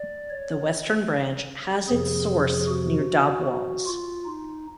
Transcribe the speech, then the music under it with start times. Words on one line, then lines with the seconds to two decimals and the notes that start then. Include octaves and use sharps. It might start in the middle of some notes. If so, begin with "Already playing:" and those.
The western branch has its source near Dobwalls.
Already playing: D5
0.30 C#5
1.88 F2 C3 F3 G#4
2.67 F#4
3.46 F#4
3.86 F4
4.25 D#4